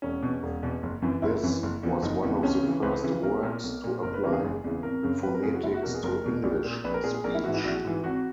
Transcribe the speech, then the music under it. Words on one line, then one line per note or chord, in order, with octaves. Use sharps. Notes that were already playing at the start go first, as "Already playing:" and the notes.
This was one of the first works to apply phonetics to English speech.
E1 C#4
E2 B2
E1
E2 B2
F#1
F#2 E3
F#1 E4
F#2 E3
F#1
E2 C#3 E3
F#1 D#4
E2 C#3 E3
B3
C#2 C#4
C#3 E3
C#2 B4
C#3 E3
B1 A#4
A#2
B1
A#2
F#1 A#4
B4
E2 C#3 E3 A#4
G#4
F#1
E2 C#3 E3
G#1 A#4
F#2 C#3
G#1 B4
A#4
F#2 C#3 G#4
F#4
F#1 E4
F#4
E2 B2 A#4
G#4
F#1 A#4
E2 B2
A#1
A#2
A#1 B4
A#4
A#2 G#4
G#4
A#1 A#4
E4
G#2 E3 F#4
E4
A#1 F#4
G#2 E3
G#1 F#4